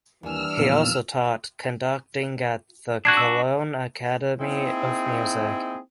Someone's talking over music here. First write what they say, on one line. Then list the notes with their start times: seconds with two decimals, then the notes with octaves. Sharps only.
He also taught conducting at the Cologne Academy of Music.
0.23 D#2 E3 G3 D4 G#5 E6 F6
0.57 E2 A#2 D#3 F3 A#3 B3
3.05 D4 F#4 F#6 G#6 C7
3.17 E6
4.40 A#3 C4 D#4 E4 G#4